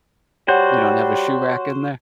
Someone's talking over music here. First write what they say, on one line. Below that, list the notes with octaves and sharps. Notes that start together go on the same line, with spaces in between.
You don't have a shoe rack in there?
G3 F#4 C5 C#5 F#5